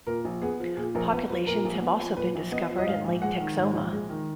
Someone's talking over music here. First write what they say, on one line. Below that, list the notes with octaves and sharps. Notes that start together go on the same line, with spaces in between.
Populations have also been discovered in Lake Texoma.
A#2 A#4
A#1
B3 G#4
F3
A#2 G#4
A#1 A#4
B3 B4
F3 B4
A#2 A#4
A#1
B3
F3
A#2 B4
A#1
B3 D#5
F3
D#5
G#2 F5
A#1
G#3 F#5
D#3
G#2
A#1
G#3
D#3